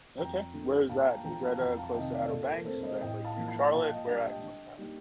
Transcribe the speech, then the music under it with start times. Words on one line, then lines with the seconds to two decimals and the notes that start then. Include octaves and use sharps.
Okay, where is that? Is that, uh, close to Outer Banks? Is that, like, near Charlotte? Where at in North Carolina?
0.18 F2 G5 A#5
0.54 D3 A3
0.89 A#2 F5 A5
1.07 G5 A#5
1.24 F3 A3 D4 G5 A#5
1.42 F5 A5
1.59 F2 G5 A#5
1.77 F5 A5
1.94 C3 D#3 D#5 G5
2.12 D5 F5
2.30 A#2 A4
2.48 A#4
2.65 A3 C4 A4 C5
2.83 C5 D#5
3.01 A2 D#5 G5
3.24 F5 A5
3.36 F3 A#3
3.48 F5 A5
3.72 A#2 F5 A5
3.89 D#5 G5
4.07 G3 D4 D#5 G5
4.25 D#5 G5
4.43 D3
4.78 G3 A#3 D#4